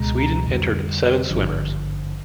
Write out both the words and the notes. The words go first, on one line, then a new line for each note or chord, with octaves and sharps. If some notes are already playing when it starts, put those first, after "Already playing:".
Sweden entered seven swimmers.
Already playing: C#2 B2 G#3 A#5
F2 D3 G3
G#1 G2 D3 F3